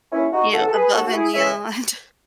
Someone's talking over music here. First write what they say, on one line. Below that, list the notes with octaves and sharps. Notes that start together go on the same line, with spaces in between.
you know, above and beyond,
D#2 C#4 E4
D#4 F#4
C#3 E3 A3 F#4 A4
A4
G#4 B4
D#2 F#4 A4
F#4
E4 G#4
C#3 E3 A3 C#5 E5